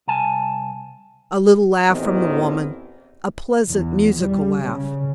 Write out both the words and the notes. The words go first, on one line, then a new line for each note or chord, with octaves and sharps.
A little laugh from the woman--a pleasant, musical laugh.
C2 G#5 A5
A1 E2 D#3 E3 C4
E2
G3
C#3